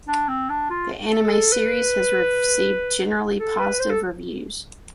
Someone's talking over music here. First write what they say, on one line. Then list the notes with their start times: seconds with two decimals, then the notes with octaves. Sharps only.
The anime series has received generally positive reviews.
0.08 D4
0.29 C4
0.50 D4
0.70 F4
1.12 A4
1.32 A4
1.52 B4
3.39 A4
3.59 B4
3.80 C5
3.90 A4